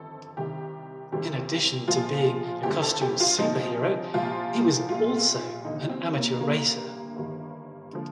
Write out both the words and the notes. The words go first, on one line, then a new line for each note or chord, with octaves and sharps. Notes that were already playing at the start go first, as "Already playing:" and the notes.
In addition to being a costumed superhero, he was also an amateur racer.
Already playing: G1 F2 D#3 A4
C2 C3 D#3 G3 G4
F1 F2 D#3 G3 G4
A#1 A#2 F3 F4
G1 F2 D3 G3 G4
A4
G4
F4
D2 C3 F3 D#4
C2 A#2 F3 F4
A#1 A#2 G3 F4
F1 D#2 D3 D#4
C4
A#3
A1 G2 D3 G3 A#3
G1 G2 D#3 G3
D3 F3